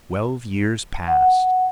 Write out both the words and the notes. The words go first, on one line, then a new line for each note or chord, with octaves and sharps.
Twelve years passed.
F#5